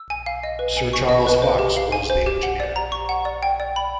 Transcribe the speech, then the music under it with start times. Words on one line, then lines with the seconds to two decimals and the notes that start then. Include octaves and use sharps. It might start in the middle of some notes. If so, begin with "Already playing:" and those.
Sir Charles Fox was the engineer.
Already playing: E6
0.10 G#5
0.26 F5
0.44 D#5
0.59 B4
0.77 G#5
0.93 C#6
1.09 D#5
1.27 B4
1.42 C5
1.59 G4
1.77 F5
1.92 G#5
2.10 C5
2.26 G4
2.43 F#5
2.60 D5
2.76 A#5
2.92 C#6
3.09 F#5
3.25 D5
3.43 G5
3.60 D5
3.76 B5